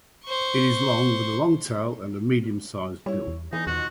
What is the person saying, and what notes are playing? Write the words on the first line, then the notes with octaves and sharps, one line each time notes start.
It is long, with a long tail and a medium-sized bill.
C5 C#6
G3 E4 C#5
E2
E2 E3 D#4 G#4
E2 B2 D#3 F3 F#4